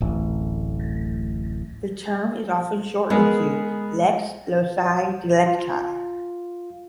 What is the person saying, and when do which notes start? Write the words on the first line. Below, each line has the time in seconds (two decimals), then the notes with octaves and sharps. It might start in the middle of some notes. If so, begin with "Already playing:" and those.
The term is often shortened to "lex loci delicti".
0.01 D1 A1
3.10 G#3 B3 G#4 A#4
5.46 F4